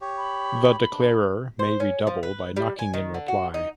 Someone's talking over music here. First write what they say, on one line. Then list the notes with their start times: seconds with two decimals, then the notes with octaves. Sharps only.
The declarer may redouble by knocking in reply.
0.01 G4 C#5
0.17 B5
0.91 D4
1.59 C5
1.80 C#4
2.07 F3
2.23 B4
2.56 G3
2.79 G#5
2.94 D#3
3.14 D3
3.28 F#4
3.54 D#4